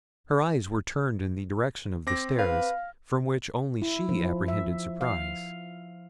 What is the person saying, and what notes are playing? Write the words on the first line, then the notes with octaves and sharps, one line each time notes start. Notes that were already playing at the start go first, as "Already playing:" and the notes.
Her eyes were turned in the direction of the stairs, from which only she apprehended surprise.
C4 D6 A#6
B4 F5
E4
F3
E5
F5